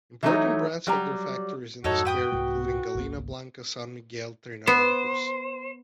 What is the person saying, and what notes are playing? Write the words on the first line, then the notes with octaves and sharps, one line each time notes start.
Important brands had their factories in the square including Gallina Blanca, San Miguel, Trinaranjus...
E3 F#3 A3 A#3 D#4 C#5
F#3 G3 A#5
F2 G#2 D#4 F#4 A4 C#5
B4 G5 D#6
C2 G#2 A3
G#1 C#2 A#3
B3 C5